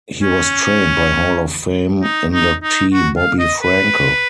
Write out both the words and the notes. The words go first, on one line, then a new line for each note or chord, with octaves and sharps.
He was trained by Hall of Fame inductee Bobby Frankel.
C#4
D#4
D#4
D#4
F#4
F5
D#5
B4